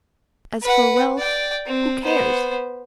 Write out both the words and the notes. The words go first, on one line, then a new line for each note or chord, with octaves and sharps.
As for wealth, who cares?
B4 F#5
D5 G5
C4
B3 C5